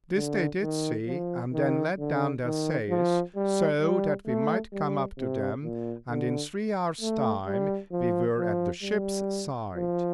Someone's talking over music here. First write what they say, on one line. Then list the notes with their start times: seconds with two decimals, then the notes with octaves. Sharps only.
This they did see, and then let down their sails so that we might come up to them, and in three hours time we were at the ship's side.
0.16 D3
0.62 D#3
1.07 F3
1.53 D#3
1.99 D3
2.45 D#3
2.90 F3
3.36 G3
3.81 G3
4.26 A3
4.72 G3
5.18 C3
5.63 A#2
6.10 D3
7.01 A3
7.46 G3
7.92 F3
8.38 F3
8.83 G3
9.74 F3